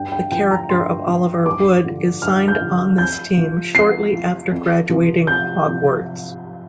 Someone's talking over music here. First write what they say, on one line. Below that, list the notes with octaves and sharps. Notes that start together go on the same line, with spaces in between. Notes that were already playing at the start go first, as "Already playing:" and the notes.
The character of Oliver Wood is signed on this team shortly after graduating Hogwarts.
Already playing: G2 G5
G5
F3 G5
A#5
G2 C6
F3
G2 D6
D3 F3
G2 F6
G6
D3 F3
F2 G6
F3
F2 C7
F3
F2
C3 F3
F2 G6
C3 F3